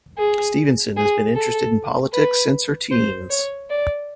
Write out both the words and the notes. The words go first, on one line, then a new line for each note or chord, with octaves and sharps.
Stevenson has been interested in politics since her teens.
G#4
G#4
A4
B4
C5
C#5
D5